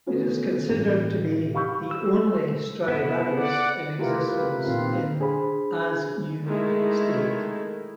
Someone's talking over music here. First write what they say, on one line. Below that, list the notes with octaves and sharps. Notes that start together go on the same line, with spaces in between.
It is considered to be the only Stradivarius in existence in "as new" state.
A3 B3 C#4 F#4
A1 G#4
G4 F5 B5 C#6 E6 G6
E6
B3 E4
D5 F#5
A3 E4 F4 G4 A#4 B4
B4
A#2 D#3 C4 F4 F5
D4 G#4 C5 B5
D#3 G#3 A3 E4